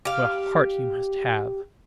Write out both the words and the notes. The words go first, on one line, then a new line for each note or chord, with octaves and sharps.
'What a heart you must have!'
G4 F5